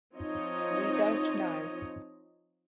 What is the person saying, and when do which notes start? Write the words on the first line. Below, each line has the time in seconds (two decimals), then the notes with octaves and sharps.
We don't know.
0.13 F3 C4 D#4 C#5 D#5